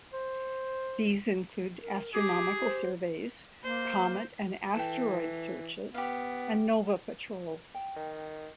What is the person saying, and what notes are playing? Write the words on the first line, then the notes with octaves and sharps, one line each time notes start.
These include astronomical surveys, comet and asteroid searches, and nova patrols.
C5
A#4
G4 G#4 D6
C5
A#3 C5
E3 A4 G5
B3 G4 F5
G5
D#3